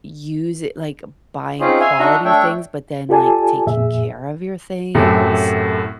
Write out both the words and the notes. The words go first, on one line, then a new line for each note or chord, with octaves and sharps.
use it, like, buying quality things, but then, like, taking care of your things.
C4 C#4 D#4 F4 G#4 C5
E5 F5 G#5 C6
D4 D#4 F#4 D#5 E5 A#5
A3 D4 C#5 E5 G5
F4 G4 A4 D5 G#5 A5
F2 A#2 G#4 E5
F#2 A2 C3 A3